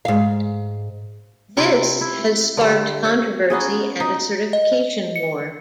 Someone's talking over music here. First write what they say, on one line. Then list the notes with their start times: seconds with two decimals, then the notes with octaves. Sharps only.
This has sparked controversy and a certification war.
0.05 G#2 F5
1.57 C3 E4 F4 G4
2.01 E4
2.57 D3 G3
3.05 C#5
3.50 A#3 B3 C#4 G#4
4.00 D#4
4.53 D#5
5.16 C#7